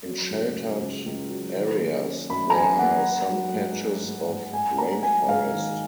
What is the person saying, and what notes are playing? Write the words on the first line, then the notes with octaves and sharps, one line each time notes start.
In sheltered areas there are some patches of rainforest.
F#3
C#2
C#2
C#2
C#2
F#3
D#3
A#3
C#4
F#2 B5
A#5
F#2 G#5
A#3 F#5
C#4
F#3
G#2
F#3
G#2
G#2
G#2 G#5
A#3 A#5
F#3 G#5
G#2 F5
D#3